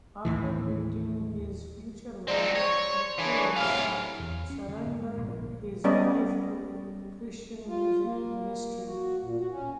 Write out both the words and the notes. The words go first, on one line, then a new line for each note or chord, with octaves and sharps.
After meeting his future wife, Nichols surrendered his life to Christian music ministry.
D#2 A2 E3
G#3 C4 D#4 D5
C5 C#5
E3 D4 G#4 C#5
A2 C3 F#3 E4 F5 G#5 F6
E2
C#4
D3
G#2
A#1
G3 B3 C#4 D5 D#5
F4
A#3
F#4
A#2
F#4
C#4